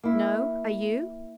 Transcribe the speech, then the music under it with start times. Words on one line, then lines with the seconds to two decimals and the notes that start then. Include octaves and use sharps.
"No; are you?"
0.03 A#3 E4